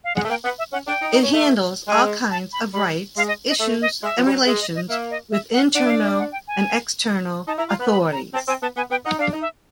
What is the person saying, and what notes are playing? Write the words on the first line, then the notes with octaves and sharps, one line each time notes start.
It handles all kinds of rights issues and relations with internal and external authorities.
F5
G#3 F#5
A3
A#3 G5
B3 F#5
E5
C#4 F#5
D4 G5
D#4
D#4
C#4
A3
G#3 G#5
A5
B5
G3 B5
G#3 F5
D#5
D#5
A3 E5
D#5
G#3 E5
F3
G3
F#3
G#3 E5
D#5
D#5
A#3 E5
D#5
E5
F#5
D4 F#5
E5
F5
E5
F#5
G5
G#5
D#4 A5
E4 A#5
F4 A#5
B3 B5
B5
A#5
C4 A5
C4 G#5
B3 A5
B3 G#5
B3 G5
D#4 F#5
D4 F5
D#4
E5